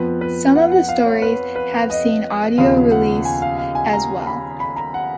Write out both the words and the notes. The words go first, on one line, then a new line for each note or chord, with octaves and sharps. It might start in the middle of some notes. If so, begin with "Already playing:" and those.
Some of the stories have seen audio release as well.
Already playing: F2 F3 B3 B4
B4
F#5
F#5
F5
C#5
B4
B4
D#5
D#2 C#3 F3 B3 F5
F#5
G#5
F5
F5
G#5
A#5
B5
B5
A#5
F#5